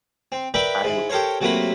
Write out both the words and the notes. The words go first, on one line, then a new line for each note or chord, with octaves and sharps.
I would
C4
A#4 B4 D5 E5 G5 B5
G#2 E4
G4 A4 A#4 C5 C#5
C3 F#3 A3 A#3 F4 B5